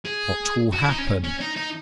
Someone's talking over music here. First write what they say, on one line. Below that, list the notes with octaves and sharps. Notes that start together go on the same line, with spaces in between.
What will happen?
G#4
F#4
E4
D#4
C#4
C#4
D#4
D#4